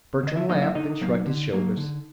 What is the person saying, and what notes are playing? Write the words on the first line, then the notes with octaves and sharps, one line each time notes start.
Bertram laughed and shrugged his shoulders.
D3 D#5
E4 E5
F#3 A#3 D#4 D#5
E4 E5
D3 D#4 D#5
F#3 A#3
D3
F#3 A#3
D3